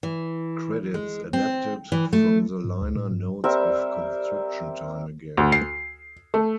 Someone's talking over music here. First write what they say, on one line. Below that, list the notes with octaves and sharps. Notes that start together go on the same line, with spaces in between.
Credits adapted from the liner notes of "Construction Time Again".
E3
G#3
C4
E3
A3
G2
C#2
A2
G2
G3 C4 A#4 E5
D2
C7
A3